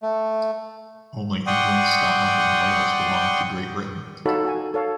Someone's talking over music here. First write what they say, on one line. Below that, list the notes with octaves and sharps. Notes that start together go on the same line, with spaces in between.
Only England, Scotland and Wales belong to Great Britain.
A3
D5 F#5 G5 C6 C#6 D#6
D#4 F#4 A4 C#5 F5 B5
F#4 G#5
A4 C#5 F5